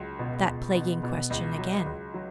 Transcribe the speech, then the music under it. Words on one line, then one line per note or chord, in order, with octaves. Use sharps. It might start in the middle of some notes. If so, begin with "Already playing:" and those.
That plaguing question again.
Already playing: C#2 F#3
B2
C#2
B2
B2
C#2
F#3
C#2
F#3